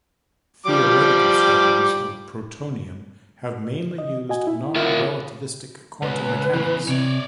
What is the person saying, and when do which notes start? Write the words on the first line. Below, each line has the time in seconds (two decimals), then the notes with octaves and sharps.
Theoretical studies of protonium have mainly used non-relativistic quantum mechanics.
0.66 F3 G3 D6
3.98 D#5
4.29 F#4 D#5 G#5
4.47 E4
4.76 F4 A#4 E5
6.02 C#2 B4
6.54 E2 C#3 E3
6.88 C3 C#5 D5